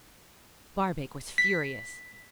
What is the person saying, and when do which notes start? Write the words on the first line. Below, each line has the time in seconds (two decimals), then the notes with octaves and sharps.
Barbaik was furious.
1.38 B6